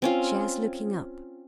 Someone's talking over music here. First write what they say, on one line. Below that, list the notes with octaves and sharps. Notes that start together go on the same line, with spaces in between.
Shares looking up.
C4 C#4 F4